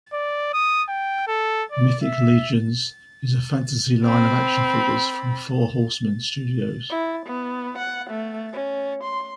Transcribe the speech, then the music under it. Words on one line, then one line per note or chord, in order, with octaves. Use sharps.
Mythic Legions is a fantasy line of action figures from Four Horsemen Studios.
D5
D#6
G5
A4
D5
E5
C4 B5
E4
B3
F#5
A3
C#4
C6